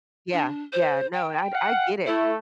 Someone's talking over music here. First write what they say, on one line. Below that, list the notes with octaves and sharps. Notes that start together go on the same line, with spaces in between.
Yeah, yeah, no, I d I get it,
D4
C5
G5
F5 F#5
A3 E4